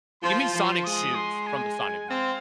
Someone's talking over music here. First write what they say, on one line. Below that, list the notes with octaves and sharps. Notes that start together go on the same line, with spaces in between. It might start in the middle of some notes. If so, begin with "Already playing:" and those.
Give me Sonic shoes from the Sonic movies.
F3 C6
F3
G#3 D#6
C6
G#5
C4 F5